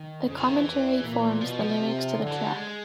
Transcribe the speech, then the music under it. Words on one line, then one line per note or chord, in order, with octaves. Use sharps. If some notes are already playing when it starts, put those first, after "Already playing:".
The commentary forms the lyrics to the track.
Already playing: D#3
F2 C#3
D3
E3
D#3
E3
E2
A#2
B2 F3
F3
C3
D3
E3
F#3
G3
G#3